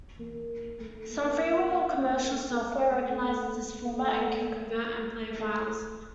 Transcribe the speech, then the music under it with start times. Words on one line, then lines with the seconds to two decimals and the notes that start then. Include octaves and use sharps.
Some freeware and commercial software recognises this format, and can convert and play files.
0.20 A#3
0.80 A3
1.10 A#3
2.00 A#3
2.30 A3
2.90 A3
3.80 A3
4.71 A#3
5.00 A3
5.30 A3